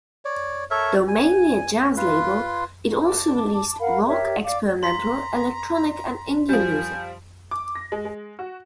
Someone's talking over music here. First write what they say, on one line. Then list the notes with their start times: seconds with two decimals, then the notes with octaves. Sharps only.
Though mainly a jazz label, it also released rock, experimental, electronic, and Indian music.
0.25 C#5 D5
0.71 A4 A#4 C#5 E5
1.08 G#5
1.97 F4 B4 C6
3.05 A5 D6
3.79 A#4 F5 F#5 B5
4.07 G4 A#4 C#5 E5
4.44 D5 F5 D6
4.83 A#5 C6 B6
6.49 F3 G3 G#5 G6
7.51 D6
7.75 A#6
7.92 G#3
8.05 G#3
8.39 F#4